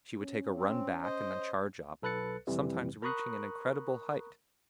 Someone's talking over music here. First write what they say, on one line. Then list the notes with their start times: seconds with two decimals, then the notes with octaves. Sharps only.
She would take a run back and then charge up, sometimes reaching an incredible height.
0.19 C#4
0.57 C4
1.03 C5 D#5
2.02 B1 A4 B4 F#6 A6 C#7
2.47 F2 C3 E3 G3
3.02 A#4 A#5 B5 C#6 D#6 F#6